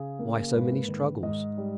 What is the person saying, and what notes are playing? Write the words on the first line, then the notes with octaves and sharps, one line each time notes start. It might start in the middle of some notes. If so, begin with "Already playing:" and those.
Why so many struggles?
Already playing: C#3 G#4
A#3
G#2 B4
D#3
G#2 D#5
G3